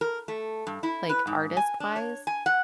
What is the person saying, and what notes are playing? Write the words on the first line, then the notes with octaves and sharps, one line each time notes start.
Like, artist-wise?
A#4
A3
G2
E4
B4
G#2
G#5
D4
C#5
G#5
F#5